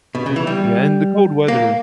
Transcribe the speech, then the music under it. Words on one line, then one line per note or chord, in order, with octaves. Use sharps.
Yeah, and the cold weather
B2
C#3
E3
G3
A#3